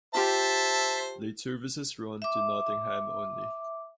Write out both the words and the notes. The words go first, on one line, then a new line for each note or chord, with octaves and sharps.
Late services run to Nottingham only.
F4 G4 C5 E5 A5
E5 D6